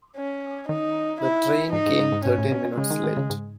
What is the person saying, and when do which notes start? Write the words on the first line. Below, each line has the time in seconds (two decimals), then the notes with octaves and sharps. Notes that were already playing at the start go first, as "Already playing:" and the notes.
The train came thirteen minutes late.
0.16 C#4
0.68 D#3 D#4
1.21 E4
1.72 G#2 D#4
1.86 G#2
1.99 G#2
2.12 G#2
2.25 G#2 C#4
2.38 A2
2.52 B2
2.65 B2
2.77 C#3 G#3
2.90 D#3
3.03 D#3
3.17 C#3
3.30 G#2